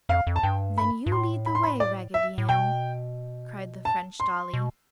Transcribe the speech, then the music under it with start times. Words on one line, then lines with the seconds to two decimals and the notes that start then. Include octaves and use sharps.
"Then you lead the way, Raggedy Ann!" cried the French dolly.
0.09 F2 F5
0.27 F2
0.36 A5
0.43 G2 G5
0.78 B5
1.06 G2
1.12 A2 C6
1.46 B5
1.55 C6
1.64 B5
1.80 D5
2.14 E5
2.38 A2
2.48 B2 G5
3.85 A5
4.20 C6
4.53 B2